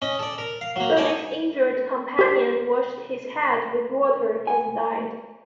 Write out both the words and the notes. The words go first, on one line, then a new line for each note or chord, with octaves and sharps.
So this injured companion washed his head with water and died.
C#4 D#5
A4 D5
A#4
F5
F#3 A#3
D#4 C#5 D5 G#5 A5
G4 C5
G#5